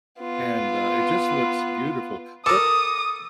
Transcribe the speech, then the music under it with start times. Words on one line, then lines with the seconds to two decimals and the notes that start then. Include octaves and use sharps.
and, uh, it just looks beautiful, but
0.20 B3 F4
2.46 A4 A#4 D6 D#6